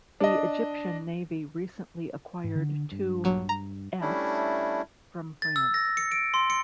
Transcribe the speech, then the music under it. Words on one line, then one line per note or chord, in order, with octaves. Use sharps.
The Egyptian Navy recently acquired two s from France.
D4 D#5
G#2
D3 D4
G2
A#1 F#3
A#5
G3 A3 C#4 D4 E4
A6
E6
A#6
C#7
D7
C6
C#7